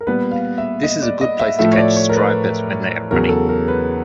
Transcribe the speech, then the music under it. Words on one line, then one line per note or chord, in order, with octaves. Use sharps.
This is a good place to catch stripers when they are running.
A#4
A#2 G3 B3 B4
F5
E5
D#5
D5
D#5
E5
A2 F3 A3 E5
C#5
D5
C#5
A#4
B4
E2 C#3 F#3 A#4
A#4
A4
A#4
B4